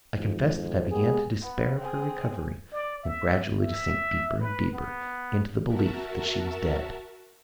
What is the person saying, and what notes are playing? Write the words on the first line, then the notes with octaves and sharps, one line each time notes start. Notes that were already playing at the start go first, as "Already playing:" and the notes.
I confess that I began to despair of her recovery, and gradually to sink deeper and deeper into the belief that she was dead.
G#1 F2
G#3 A#3 B3 G4 G#4
B3
C4 G#4
D5
E5
E5
B4
B3
F#4 A#4 E5 A5